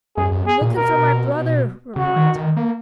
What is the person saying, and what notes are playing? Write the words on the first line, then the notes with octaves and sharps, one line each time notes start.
"I'm looking for my brother," replied Tom.
F#2 G#4
F#2
G#4
A#2
B2 A#4
C#3 F#4
D#3
D#3
A#3